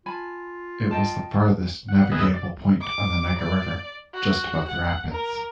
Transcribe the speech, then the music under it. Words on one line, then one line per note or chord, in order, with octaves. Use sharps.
It was the farthest navigable point on the Niger River, just above the rapids.
F4 G#5 A5 B5
D#5 G5 A5
F#5
D#2 B3 G#4 B4 D#5 E6
D5
D6
D5
F#4
F#5
A#4